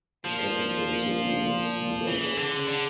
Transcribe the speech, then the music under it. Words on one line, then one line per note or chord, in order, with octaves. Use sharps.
The capital city is Budapest.
A#2 F3
C#3 E3
D3
C#3
D3